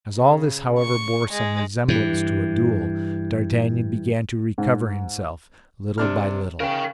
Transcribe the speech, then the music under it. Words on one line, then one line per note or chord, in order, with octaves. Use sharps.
As all this, however, bore some resemblance to a duel, d'Artagnan began to recover himself little by little.
C#3
C#6
G#3
G2 E3
G#2
C3 D4 F6
C#3 A#4 G5